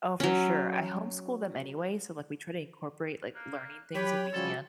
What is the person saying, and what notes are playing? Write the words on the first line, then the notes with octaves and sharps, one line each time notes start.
Oh, for sure. I homeschool them anyway, so, like, we try to incorporate, like, learning things when we can,
F#3 C#4
A#3 F#6
F#3 G4 B4 C#5 G5 B5
C#3 F3 G3 F#4 A4 C6